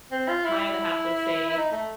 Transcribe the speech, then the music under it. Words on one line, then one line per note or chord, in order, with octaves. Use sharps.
my other half would say,
C4
F4
E4
E4
E4
D#4
A3